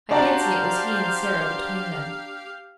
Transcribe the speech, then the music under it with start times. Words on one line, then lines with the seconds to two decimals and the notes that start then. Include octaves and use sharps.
I fancy it was he and Sarah between them.
0.11 D4 F#4 G4 C5 D5 F5 A5 A#5